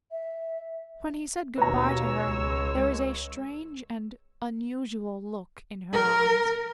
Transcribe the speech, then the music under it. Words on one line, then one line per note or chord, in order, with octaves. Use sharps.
When he said good-by to her, there was a strange and unusual look in her eyes.
E5
D#2 B2 B4 C#5 A#5 E6
C#2 G#3
A#4